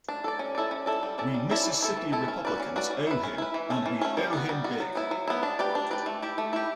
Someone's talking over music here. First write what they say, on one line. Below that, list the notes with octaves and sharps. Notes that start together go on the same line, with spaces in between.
We Mississippi Republicans owe him, and we owe him big.
D4
A4 D5
C#4
E4 A4 D5
C#4
E4 A4 D5
G3
C#4 E4 A4 D5
G3
C#4 E4 A4 D5
E3
A3 E4 A4
E3
A3 E4 A4
C#4
F#4 B4 D5
C#4
F#4 B4 D5
C#4
E4 B4
C#4
E4 B4
E3
A3 C#4
E3
A3 C#4
G3
B3 F#4
G3
B3 F#4
F#3
B3 E4
F#3
B3 E4
D4
G4 B4 D5
D4
G4 B4 D5
A3
E4 G4
A3
E4 G4